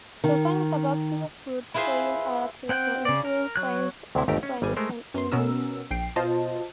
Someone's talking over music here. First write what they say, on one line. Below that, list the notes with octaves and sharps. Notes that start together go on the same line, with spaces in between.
The song is about people betraying other people, including friends, old friends, and enemies.
D#3
E4 F4 G#4 B4 C5
C4 F#5 G5
C#3 D5
A#4
F#3 F#6
D2 C3 E4
G1 D#2 A3 G4 A#4
C#4
G#1 G3 G#5
G#3 A3 A#4 C5
F#2 C6
B2 B3 C#4 A#4 E6
A#1 G5 C7 D7
B2 F4 C5 D#5 A5